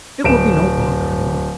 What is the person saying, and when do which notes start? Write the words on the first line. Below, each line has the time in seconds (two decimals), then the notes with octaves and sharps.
"It will be no bother at all."
0.24 D1 D7 E7